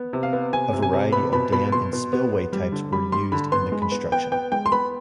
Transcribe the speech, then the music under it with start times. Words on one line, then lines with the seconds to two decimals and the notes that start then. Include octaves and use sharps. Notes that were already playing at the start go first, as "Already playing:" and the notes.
A variety of dam and spillway types were used in the construction.
Already playing: B3
0.13 C3
0.23 F5
0.33 B3
0.53 C3 G#5
0.73 C3
0.83 G#5
0.93 C3
1.12 B3 B5
1.33 B2 B5
1.52 B2 B5
1.72 B2 C6
1.93 B2
2.13 B3
2.33 B3
2.53 G3
2.72 D3
2.92 G3 B5
3.12 G3 C6
3.32 D3 B5
3.52 B3 C6
3.72 G#3
3.82 B5
3.92 B3
4.12 B3 G5
4.32 B3 G5
4.52 G#3 G5
4.66 C6
4.72 B3 B5